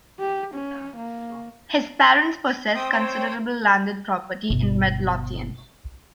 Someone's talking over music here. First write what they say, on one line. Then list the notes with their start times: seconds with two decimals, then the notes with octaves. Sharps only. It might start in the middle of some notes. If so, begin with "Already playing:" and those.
His parents possessed considerable landed property in Midlothian.
0.20 G4
0.54 C#4
0.97 A#3
2.75 C4 G5 D#6
2.92 C5 C#5 G5
4.50 G1 B2